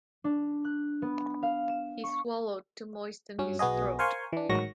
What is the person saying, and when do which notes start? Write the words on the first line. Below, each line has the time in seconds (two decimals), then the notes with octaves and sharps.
He swallowed to moisten his throat.
0.24 D4
0.65 F#6
1.02 B3
1.43 F5
1.69 E7
2.04 C#6
3.39 G2 F#3 C#4
3.59 B1 B3 F#4 G#4 D#5
3.99 A#4 C5 F5 G#5 C6 C#6
4.33 E3 D4
4.49 A1 G#2 D#3 F#3 C#6 A#6